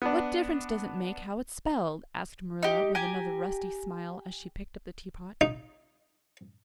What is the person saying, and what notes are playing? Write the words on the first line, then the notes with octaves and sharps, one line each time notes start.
"What difference does it make how it's spelled?" asked Marilla with another rusty smile as she picked up the teapot.
B3 D4
D#4 G4
G4 G#5 A#5
D#4